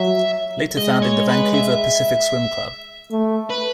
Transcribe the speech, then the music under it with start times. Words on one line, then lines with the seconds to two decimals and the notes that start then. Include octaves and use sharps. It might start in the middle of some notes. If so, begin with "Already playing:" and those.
Later founding the Vancouver Pacific Swim Club.
Already playing: F#3 E5
0.77 G#3 D#5
1.02 C#5
1.29 B4
1.54 E5
3.11 A3
3.50 B4